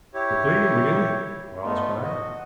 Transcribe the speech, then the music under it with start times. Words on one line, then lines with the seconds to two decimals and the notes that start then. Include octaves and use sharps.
"Quickly, Wigan!" Quarles cried.
0.14 E4 G4 C#5
1.64 A3 B3 D#4 F4
2.03 F#4 D#5